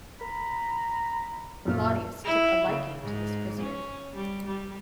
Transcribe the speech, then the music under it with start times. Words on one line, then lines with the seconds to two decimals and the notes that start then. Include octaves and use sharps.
Claudius took a liking to this prisoner.
0.21 A#5 B5
1.65 C2 F#2 A#2 A3 F6
2.24 E4
2.68 C#3
3.02 G#2
3.60 C#4
4.15 G3
4.45 G3